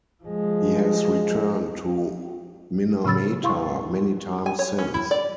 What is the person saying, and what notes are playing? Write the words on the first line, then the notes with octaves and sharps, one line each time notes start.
He has returned to Minamata many times since.
F3 G#3
A2 C#3 B5 E6 A6
E4 F5 C6 C#6
G#5
C#5
C#4
E4
D5